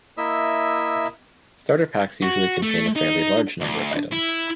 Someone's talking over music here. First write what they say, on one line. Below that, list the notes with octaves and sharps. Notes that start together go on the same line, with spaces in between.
Starter packs usually contain a fairly large number of items.
A#3 E4 D#5 E5
F#4
A3
D#4
D2
E4